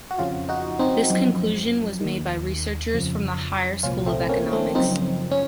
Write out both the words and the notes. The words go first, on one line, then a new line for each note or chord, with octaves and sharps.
This conclusion was made by researches from the Higher School of Economics.
F#4
F2 C#3 F3 C#4 F4
D#4 F#4
C4 D#4
F#2 F3
D#2 D#3
F2 C#3 F3
C2 A#2 F3 C#4 F4
A3 C4
A#3 C#4
A3 C4
F#2 C#3 F3 C4 D#4
C#4